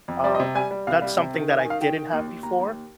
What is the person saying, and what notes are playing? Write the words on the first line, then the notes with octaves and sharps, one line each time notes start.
Um, that's something that I didn't have before,
F2
G3 D5
D#5
C3
G3 G#5
G3
C2 F5
G3
C3
D#3
D#3 D#5
G#5
D#3
F5
D#3 G5
D#3
D#2
D#2
D#2 A#5
D#2